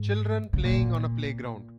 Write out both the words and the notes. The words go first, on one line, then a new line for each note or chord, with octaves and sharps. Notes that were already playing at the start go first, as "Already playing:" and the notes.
Children playing on a playground.
Already playing: G#2
C#3
A#2